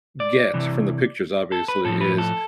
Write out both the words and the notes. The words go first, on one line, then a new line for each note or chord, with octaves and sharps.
get from the pictures, obviously is,
D5
C3 E3
A4
B4
A2 F3 A4
B4
A4